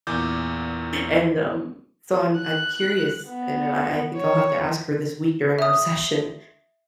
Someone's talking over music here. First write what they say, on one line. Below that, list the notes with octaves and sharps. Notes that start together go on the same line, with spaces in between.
And, um, so I'm I'm curious and I I think I'll have to ask her this week during our session.
E2 A#2 D6 G6
F#6
B3
C#5
E5 D#6